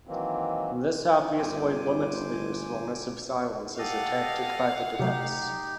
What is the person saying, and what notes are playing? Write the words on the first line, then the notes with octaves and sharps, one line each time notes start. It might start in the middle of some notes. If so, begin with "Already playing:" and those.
This obviously limits the usefulness of silence as a tactic by the defense.
D#3 E3 F#3 A#3 C4
G1 C5 G#5 D6
G4 A4 D#5 F5 F#5
C3 F#3 A3 D#4 G4